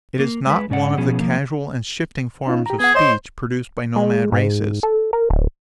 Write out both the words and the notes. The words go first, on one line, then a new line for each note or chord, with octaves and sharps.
It is not one of the casual and shifting forms of speech produced by nomad races.
A#3
G#3 B4
G#2 C#4 D5 F#5
B2 F3 B3 C#4 G#4
C3 F3 A#3
C#4 D#4 F4
G4 A#5
B3 G#4 F#5
C5 C#5 D#5
G#3
G#2
A4
A#4
D1